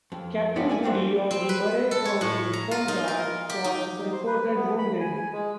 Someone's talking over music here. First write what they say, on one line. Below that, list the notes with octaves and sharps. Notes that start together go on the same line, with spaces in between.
Captain Woody of the Murray County Home Guard was reported wounded.
F2
G2 C3 B3 C#4 D4
D5 E5 G#5
G3 A3 C4 D4 F#4 C5
C4
B4
A4
C#5
A2
A#5
F4
D#4
A#4
G4
D#4
D#4
C5
B4
B3
B5
G#5
G#5
G#3